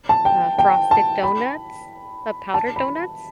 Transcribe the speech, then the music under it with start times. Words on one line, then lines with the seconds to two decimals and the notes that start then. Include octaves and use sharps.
uh, frosted donuts, the powdered donuts.
0.09 A5
0.25 G5
0.58 G5
0.91 A5
1.23 B5
2.54 A5
2.76 B5